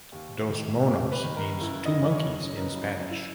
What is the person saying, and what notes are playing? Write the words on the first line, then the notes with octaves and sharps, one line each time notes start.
Dos Monos means "two monkeys" in Spanish.
D#2
D#3
D#2
B4
D#3
A#4
F#1 E4
D#5
F#2 C#3
C#5
F#1 C#5
A#4
B4
F#2 C#3
E4